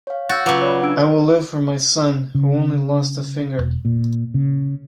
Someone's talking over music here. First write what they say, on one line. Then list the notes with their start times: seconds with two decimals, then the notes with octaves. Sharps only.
I will live for my son, who only lost a finger.
0.07 C#5 F5
0.29 F#4 E6 G6 A6
0.46 C#3 F#3 F4 B4 D6
0.62 C#5 D5 B5
0.82 D4 F#5 E6 G#6 D7
2.35 C#3
3.58 E1
3.85 A#2
4.34 C#3